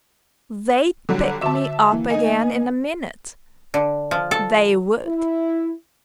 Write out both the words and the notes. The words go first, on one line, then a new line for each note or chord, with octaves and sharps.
'They'd pick me up again in a minute, THEY would!
D3 F#3 G3
D3 F#4 E5 A5 D6
E3 A#3
D#4 D#5 G#5
D3
F3
A4
E4